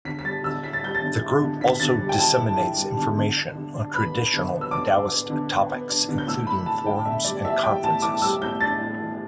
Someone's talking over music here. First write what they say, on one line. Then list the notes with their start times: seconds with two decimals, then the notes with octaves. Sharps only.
The group also disseminates information on traditional Taoist topics, including forums and conferences.
0.05 D3 B6
0.19 B6
0.24 G3 A6
0.43 D3 E6
0.64 E4 B6
0.73 A6
0.83 G3 G6
0.95 A6
1.02 D3
1.21 E4
1.42 D3
1.61 D3 B6
1.80 D3 A6
2.00 G3
2.09 G5
2.18 E4 A5
2.38 E4
2.57 E4
2.77 G3
2.97 D3
3.17 D3
3.36 D4
3.55 D3
3.74 D4
3.94 B3 B5
4.13 D4
4.34 D3
4.53 B3
4.61 E6
4.71 D4 D6
4.92 D4
5.11 B3
5.30 D3
5.49 B3
5.69 B3
5.89 D4
6.09 D3
6.18 G6
6.27 A2 E6
6.47 A2 B5
6.66 E3 A5
6.86 E3 G5
7.05 A2 E5
7.24 G3 D5
7.45 E3 E5
7.63 G3 G5
7.83 A2 A5
8.02 E3 D6
8.22 G3 E6
8.42 A2 G6
8.61 D4 A6
8.80 A2
9.00 E3